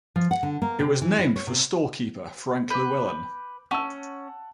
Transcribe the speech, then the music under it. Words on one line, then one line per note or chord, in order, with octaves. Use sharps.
It was named for storekeeper Frank Lewellen.
F3
F#5
D3
A#3
C3
E3
E4
C#5
C3
B4 D6 G6
C#4 F#5 A5 E6